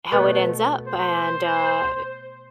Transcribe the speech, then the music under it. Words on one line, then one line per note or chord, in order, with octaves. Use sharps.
how it ends up and, uh,
B2 A3 B3
C5